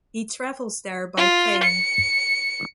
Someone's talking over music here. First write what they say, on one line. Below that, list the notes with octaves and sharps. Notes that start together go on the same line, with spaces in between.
He travels there by plane.
F4
C#7